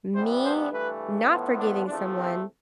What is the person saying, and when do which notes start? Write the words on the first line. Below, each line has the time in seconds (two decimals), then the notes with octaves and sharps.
Me not forgiving someone
0.14 C3 E3 G3 B3 C5
0.43 C5
0.71 G2 E3 A3 B4
1.29 A2 F3 B3
1.58 D4
1.86 E2 C3 F3 A3 D4
2.16 C4